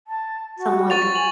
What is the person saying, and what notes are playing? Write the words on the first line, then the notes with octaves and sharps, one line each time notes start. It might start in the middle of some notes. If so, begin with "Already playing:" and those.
some, like,
A5
F#4
C#6 A6 F7
G#5 F#7